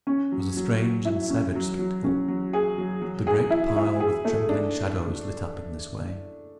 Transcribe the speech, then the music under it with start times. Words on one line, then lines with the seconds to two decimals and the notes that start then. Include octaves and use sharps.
It was a strange and savage spectacle, the great pile with trembling shadows lit up in this way.
0.07 C#4
0.32 F#3
0.57 F#3
0.81 F#3
1.05 E4
1.30 C#4
1.55 F#3
1.79 F#3
2.04 C#4
2.28 F#3
2.53 G#4
2.78 F#3
3.02 F#3
3.27 G#4
3.50 E4
3.76 E4
4.00 G#4
4.25 A3
4.49 D4